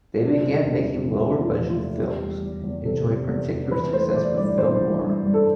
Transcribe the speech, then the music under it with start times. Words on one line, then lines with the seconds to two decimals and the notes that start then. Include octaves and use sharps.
They began making lower budgeted films, enjoying particular success with film noir.
0.25 C3 D4
0.47 E2
0.68 E2
0.90 E2
1.12 A3 E4
1.34 E2
1.41 F4
1.55 F3
1.70 F4
1.77 A3
1.98 E2 G4
2.20 G3
2.42 E2
2.64 E2
2.85 C3 A4
3.07 E2
3.29 E2
3.50 E2
3.71 E3 B4
3.93 A3 C5
4.15 E3 D5
4.37 G2 D5
4.58 E3 C5
4.80 G2
5.02 G2
5.23 G2
5.34 A4